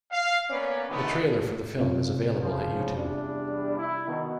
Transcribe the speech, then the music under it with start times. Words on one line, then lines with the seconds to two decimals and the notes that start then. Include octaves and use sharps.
The trailer for the film is available at YouTube.
0.12 F5
0.50 A#3 B3 C#4 B4 D5
0.89 G2 A#2 D#3 G#3 A3 B3
1.79 C3 C#4 F4
2.42 C#3 F3
2.96 E2 G3 D4
3.79 E4
4.08 B2 D#3